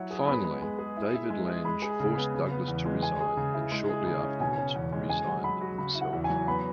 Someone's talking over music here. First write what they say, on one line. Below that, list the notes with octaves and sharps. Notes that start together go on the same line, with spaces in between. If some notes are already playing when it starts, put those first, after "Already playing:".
Finally, David Lange forced Douglas to resign, and shortly afterwards resigned himself.
Already playing: F#3 E4 C#5
G#4
B3 B5
G#3
G#3
G#4
E4
E5
G#3
G#4
G#3 B5
G#4
C#3
B3
C#3
B3
E2
G#3
G#3 G#5
G#4
C#3
E4
G#3
G#4
C#3
C#4
B2 G#5
C#4
E2
G#3
C#4 G#5
F#3
F#3 B5
F#4
C#3 B5
E4
F#5
E2
G#5
F#3
B3 B5